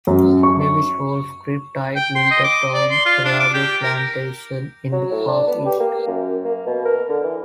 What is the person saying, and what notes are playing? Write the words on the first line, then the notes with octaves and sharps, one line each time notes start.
Lewis Woolf Grip-tight Limited owned a rubber plantation in the Far East.
F#2
C#6
G5
C6
D#5
D6
D5
C6
F4
D4
D6
G4
A#4
F#3
A2
D4
B3
G4
A#3
F#2
A#3
B2
A#4
D3
E3